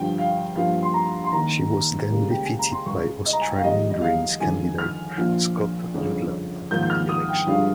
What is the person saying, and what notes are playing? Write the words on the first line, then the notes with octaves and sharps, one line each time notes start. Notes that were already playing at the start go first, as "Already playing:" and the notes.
She was then defeated by Australian Greens candidate Scott Ludlam at the election.
Already playing: G1 G2 F3 G5
F5
G2 F3 A#3 F5
C6
A#5
C6
D#2 D#3 A#3 A#5
C#2 C#3 G3 A#3
G5
G#5
A#5
C6
C#2 C#3 G#3 C#6
D#5
A#5
G#5
G5
F5
F2 D#3 G3 A#3 D#5
D#5
F5
G1 F2 D#3 G#3 G#5
F6
A#1 A#2 F3
G1 F2 C#3
G#1 G#2 F3 A#3 G6
G6
F6
D#6
G5
G1 G2 F3 G#3 F5